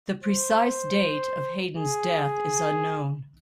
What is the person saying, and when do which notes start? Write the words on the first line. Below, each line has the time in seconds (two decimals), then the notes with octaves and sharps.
The precise date of Heydon's death is unknown.
0.24 C5
1.77 G#4